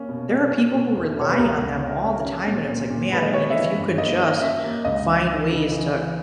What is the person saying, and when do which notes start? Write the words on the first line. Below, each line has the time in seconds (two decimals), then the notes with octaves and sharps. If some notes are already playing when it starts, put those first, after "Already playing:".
There are people who rely on them all the time, and it's like, Man, I mean, if you could just find ways to,
Already playing: A#3 C#4
0.09 B2
0.30 B2
0.52 C#4
0.73 B2
0.95 E2
1.17 B2 C#5
1.29 B4
1.38 C#2 A#4
1.60 C#3
1.82 C#4
2.04 C#4
2.25 C#4
2.47 A#2
2.69 A#2
2.90 A#2
3.12 G#3 B4
3.23 D#5
3.34 B3 C#5
3.50 E5
3.55 E3 D#5
3.77 G2
3.98 A#3 D#5
4.20 C#4
4.42 C#4 E5
4.63 A#3
4.85 C#2 D#5
5.06 E3
5.28 E3
5.50 C#3
5.72 E3
5.93 E3